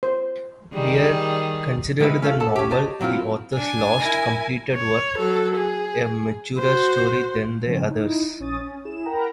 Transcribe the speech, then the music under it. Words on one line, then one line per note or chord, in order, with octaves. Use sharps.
Dear considered the novel-the author's last completed work-a maturer story than the others.
C5
D#3 G3 G#4
B1 D#3 G#3 B4 E5
C#4 F4 A4 E5 F5
A4 F#5 A5
C#4 G4
G4 C5 C#5 D#5 A5
G2 F#3 C4 E4 F4
D4 G#5
E4 A#4
C#5
F#3 A4
G#4
F#4 C5
C#3 F3 A3 C4 C#4
D#4 E4
A#1 C#4 C#5 D#6 A6 D#7
C#4
E4 G#4 E7
A#4 F#5 G5 A#5 B5